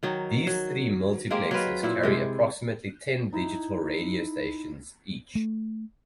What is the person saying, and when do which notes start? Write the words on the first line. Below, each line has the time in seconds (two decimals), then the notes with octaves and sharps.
These three multiplexes carry approximately ten digital radio stations each.
0.03 D#3 F#3 D#4
0.47 F#3
1.31 G#3 A#3 C4 G4
1.51 F#3 C4 B4 F5
1.83 A#2 E4 E5
2.03 C3 G#3
3.33 D#4 E4
5.35 A3